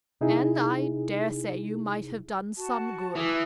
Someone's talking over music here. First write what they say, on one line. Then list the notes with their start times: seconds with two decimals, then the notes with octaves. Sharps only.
And I dare say you might have done some good.
0.21 C3 D#4 E4 G#4
2.57 F#4 A5
3.16 E3 D#6